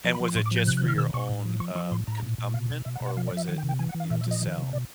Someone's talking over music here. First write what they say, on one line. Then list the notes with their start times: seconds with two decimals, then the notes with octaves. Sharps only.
And was it just for your own, uh, consumption or was it, you know, to sell?
0.04 F3 A#5
0.15 B5
0.20 F3 C6
0.35 A2 C6
0.46 D6
0.51 F3 G6
0.66 C3 F#6
0.77 F#6
0.83 D#3
0.88 F6
0.98 B2 E6
1.14 B2 C#6
1.29 A2
1.45 F3
1.60 F3 C#6
1.75 F3 C#6
1.91 A2 C6
2.07 A2 A#5
2.23 A#2
2.38 A#2
2.54 B2 F5
2.70 B2
2.85 B2 E5
2.95 F#5
3.01 B2
3.06 F#5
3.17 F3 F5
3.27 D5
3.32 F3
3.37 E5
3.47 D#3 F#5
3.58 G5
3.63 C3
3.69 G5
3.79 E3 G#5
3.89 F#5
3.94 E3
4.00 F5
4.10 A#2 E5
4.21 E5
4.27 F3 D#5
4.42 D#3
4.57 C3
4.72 B2 D5